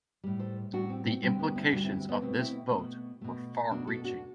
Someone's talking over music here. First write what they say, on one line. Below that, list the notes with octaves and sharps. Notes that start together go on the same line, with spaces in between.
The implications of this vote were far-reaching.
A2 G3
A4 C5
A2 G3 D4 F#4
C4
C4
D2 D3 G3 C4
B3 D4
C4 E4
D2 D3 G3 D4 F#4
C4 E4
C4
B3
B2 A3 C4
C4 E4
B2 A3
B2 A3
B2 A3 D4 F#4
F#4 A4
D4 F#4